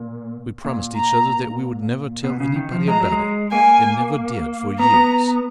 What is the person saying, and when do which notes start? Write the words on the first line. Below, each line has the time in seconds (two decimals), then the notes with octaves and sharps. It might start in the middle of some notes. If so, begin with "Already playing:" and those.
We promised each other that we would never tell anybody about it, and never did for years.
Already playing: A#2
0.65 A#2
0.97 A#5
2.24 B2
2.40 C#3
2.56 D#3
2.72 F3
2.88 G#3 A#5
3.00 F#3
3.12 G#3
3.52 A#3 G#5
4.79 B3 A#5
4.94 B3